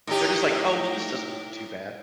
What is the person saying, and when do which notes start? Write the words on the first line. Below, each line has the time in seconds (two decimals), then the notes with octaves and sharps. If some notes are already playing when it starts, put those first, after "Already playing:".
They're just like, "Oh, well, this doesn't look too bad,"
0.07 A2 D#4 G4